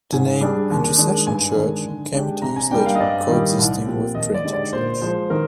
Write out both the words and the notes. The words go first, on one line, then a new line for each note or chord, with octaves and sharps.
The name "Intercession Church" came into use later, coexisting with Trinity Church.
G#2 G#5
G3 D4 G#4
D#2
D#3 G#3 D4
G2 G#5
D#3 G#3 D4 G#4
D3
G#3 D4 G4
C3 A#5
G#5
G3 A#3 D4 G5
F5
D#5
G2 D5
D#3 G3
C2
A#2 F3 C4 G4
D#2 D#5
D5
D3 G#3 D#4 G4
D5
A#2 C5
F3 G#3 C5
D#3 A#4